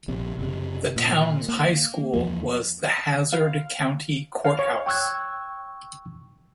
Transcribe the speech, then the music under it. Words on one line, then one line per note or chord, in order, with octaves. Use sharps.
The town's high school was the Hazzard County Courthouse.
A#1 C3
F#1 C3
A#2
A#3
E2 F3 A#3
F5
F5
C#5
G5 C#6 E6 F#6 G#6